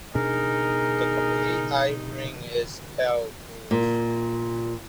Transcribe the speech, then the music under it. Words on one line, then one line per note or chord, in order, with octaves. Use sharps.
The complete eye-ring is pale bluish.
B2 D4 D#4 G#4 A#4
A#2